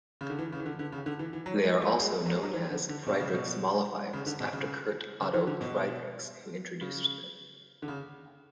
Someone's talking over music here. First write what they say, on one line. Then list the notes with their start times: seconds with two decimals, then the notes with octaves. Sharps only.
They are also known as Friedrichs mollifiers after Kurt Otto Friedrichs, who introduced them.
0.21 C#3
0.30 D3
0.39 E3
0.52 C#3
0.60 E3
0.66 D3
0.79 D3
0.92 C#3
1.06 D3
1.19 E3
1.33 E3
1.46 F#3
1.63 G#3
1.81 A3
1.99 G#3
2.26 F#3
2.35 G#3
2.43 F#3
2.53 E3
2.70 D3
2.89 D3
3.06 B2
3.20 C#3
3.34 B2
4.13 C#3
4.26 D3
4.40 B2
4.53 C#3
5.20 C#3
5.34 E3
5.47 D3
5.61 B2
6.81 C#3
7.82 D3
7.88 C#3